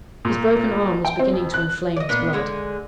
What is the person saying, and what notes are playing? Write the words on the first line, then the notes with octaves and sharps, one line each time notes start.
His broken arm was beginning to inflame his blood.
A#2
G5
C4
F2
F#6
D5 D#5
A#2 B3 D4
D3 G#3